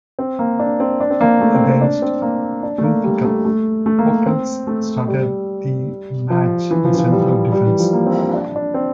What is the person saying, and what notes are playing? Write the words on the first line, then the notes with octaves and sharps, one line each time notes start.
Up against Benfica, Foulkes started the match in central defence.
C4
A#3
D4
C4
D4
C4
A#3
A3
C4
C4
D4
C4
A#3
D4
A3
A#3
G3
A3
A3
A3
A#3
C4
A3
G3
F3
E3
F3
E3
F3
G3
G3
E3
F3
A#3
C4
D4
D4
D4
C4